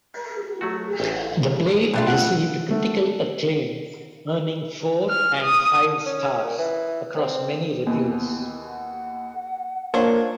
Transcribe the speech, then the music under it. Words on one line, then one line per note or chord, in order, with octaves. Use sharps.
The play received critical acclaim earning four and five stars across many reviews.
F#3 A3 F#4
A1
G2 B2 A3 D4 F4
F#5
A3
F6
D#6
C#4
A#2
E3
C4
D#2 E3 B3
F#5
A#3 D4 F4 C5 C#5